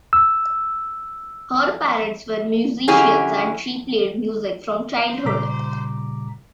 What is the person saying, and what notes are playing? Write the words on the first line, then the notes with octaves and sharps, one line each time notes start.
Her parents were musicians, and she played music from childhood.
E6
D3 F#3 C#4 E4 G4 G#4
A#2 C#3 G3 A#5 D6 B6